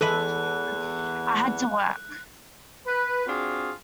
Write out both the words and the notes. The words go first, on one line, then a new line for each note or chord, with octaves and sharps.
I had to work.
E2 E3 G#3 A4 B4 F#6
B4
C4 D4 F4 F#4 G#4